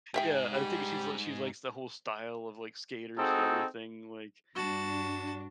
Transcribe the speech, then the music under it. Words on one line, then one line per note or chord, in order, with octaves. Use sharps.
Yeah, I think she's l she likes the whole style of, like, skaters and everything, like,
G#2 G4 G#4 E5 G5
G3
C4 D#4 F#4 G#4 A4
G2 D4 F#4 A5